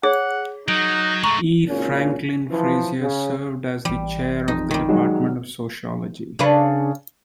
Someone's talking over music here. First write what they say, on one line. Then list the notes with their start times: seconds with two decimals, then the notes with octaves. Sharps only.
E. Franklin Frazier served as chair of the Department of Sociology.
0.03 G#4 C#5 F#5
0.68 F#3 D#4 D7
1.23 G#3 A3 A#5 C#6 F#7
1.67 G#1 A#2 C#3 C#4
2.50 E3 F3
3.00 C#3
3.85 A1 E3 G3
4.48 F2 D#4
4.71 D#3 G3
4.89 F#3 G#3 D#4 F#4
6.39 C#3 D4 B4